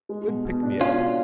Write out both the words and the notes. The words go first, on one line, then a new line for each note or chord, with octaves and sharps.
Good pick me up.
G#3
B2
B2
D4
B2 C#4 F4
D4